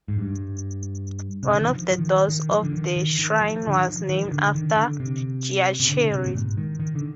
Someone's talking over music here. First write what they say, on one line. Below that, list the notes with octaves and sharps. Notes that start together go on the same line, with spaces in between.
One of the doors of the Shrine was named after Giachery.
G#2
G2
C3
D3
D#3
F3
F3
D#3
D#3
F3
D3
D#3
D#3
D#3
F3
D3
D#3
F3
D#3
D#3
D3
D#3
D3
C3
C3
D3
C3
A#2
G#2
D#3
D#3
D3